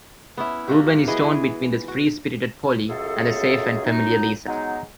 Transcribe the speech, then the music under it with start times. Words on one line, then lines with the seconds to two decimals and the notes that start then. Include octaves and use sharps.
Reuben is torn between the free-spirited Polly and the safe and familiar Lisa.
0.37 B3 C#4 E4
0.68 A#3 D4 F#4 G4
1.07 E3 B3 G#4 D#5
1.22 E3
1.88 F#4
2.88 C#2 F#2 G#4 A4
3.86 F#2 D#4
4.46 F#3 G#3 B3 D#4